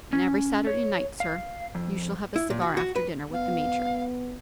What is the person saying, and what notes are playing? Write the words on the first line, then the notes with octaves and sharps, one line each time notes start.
And every Saturday night, sir, you shall have a cigar after dinner, with the Major.
C#4
C#5
F5
F2
E4
A#2
F#4
F#4
B4
B3 F5